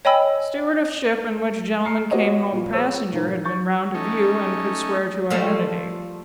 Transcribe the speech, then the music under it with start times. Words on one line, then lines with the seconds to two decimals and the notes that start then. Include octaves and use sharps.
Steward of ship in which gentleman came home passenger, had been round to view, and could swear to identity.
0.05 C#5 D#5 G5 G#5 B5 E6
1.85 A#5 F6 C7 C#7
2.11 B3 F#4 G4 C#5 D#5
2.52 A#2 F3
2.73 G#4 B4 C#5 E6
3.12 B1 G#2 A#4
3.44 C#6 G6 A6
3.94 A3 C#4 D#4
5.30 F3 G3 A3